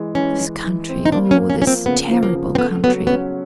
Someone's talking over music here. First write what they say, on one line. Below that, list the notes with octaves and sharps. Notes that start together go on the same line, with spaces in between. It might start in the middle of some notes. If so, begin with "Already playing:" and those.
This country, O this terrible country!
Already playing: E3 G#3
E3 C#4
E3
E3
C4
D#4
A#3 D4
C#4
A#3
C#4
F3 C#4
C4
C#3 B3
F3
A#3
C#3
C4
A3 B3
F#3 B3
B3 C#4